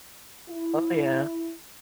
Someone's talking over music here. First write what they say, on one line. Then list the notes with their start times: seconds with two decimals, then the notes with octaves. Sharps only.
Oh, yeah.
0.50 E4